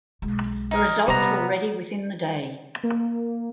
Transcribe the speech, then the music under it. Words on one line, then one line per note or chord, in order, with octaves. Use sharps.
The results were ready within the day.
B1 G#3
D#4 A#4
C3 G3 A#3 B3 A#5
A#3